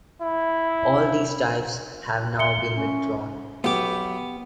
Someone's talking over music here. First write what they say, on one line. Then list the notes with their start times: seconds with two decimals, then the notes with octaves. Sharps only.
All these types have now been withdrawn.
0.22 E4
2.39 E5 C#7 G7
2.76 C#4
3.64 B1 B3 G4 D6